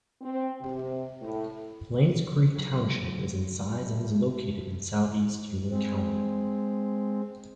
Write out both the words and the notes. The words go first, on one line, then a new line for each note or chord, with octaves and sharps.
Lanes Creek Township is in size and is located in southeast Union County.
C4
C3
A2
D#1 F#3 F#5
G3 A3 B3 G4
G#3 C4